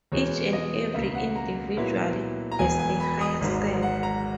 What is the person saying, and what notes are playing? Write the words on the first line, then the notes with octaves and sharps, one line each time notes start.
Each and every individual has a Higher self.
E2 B2 G#3 B3 C#5
D#5
C#2 B2 A#3 E5
F#5
A#5
A#2 F#3 B3 E4
A#5
E1 E2 B2 G#5
G#5
B5
D#6
G#1 G#2 F#3
F#5
A#5